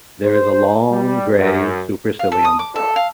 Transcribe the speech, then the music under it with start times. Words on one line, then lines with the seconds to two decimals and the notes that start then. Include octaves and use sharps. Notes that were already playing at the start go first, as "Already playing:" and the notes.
There is a long grey supercilium.
0.25 C5
0.92 G3
1.38 F#2
2.19 F5
2.32 A4
2.45 D#6
2.59 D6
2.76 A4
2.96 F5